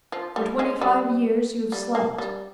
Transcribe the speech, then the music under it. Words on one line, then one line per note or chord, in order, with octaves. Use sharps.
For twenty-five years you have slept.
F3
G3
G#3
G3
G3
A#3
G3